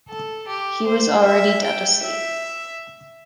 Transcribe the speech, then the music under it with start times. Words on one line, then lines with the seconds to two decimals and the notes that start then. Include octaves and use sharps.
He was already dead asleep.
0.09 A4
0.48 G4
0.86 C5
1.25 E5
1.64 G5
2.03 E5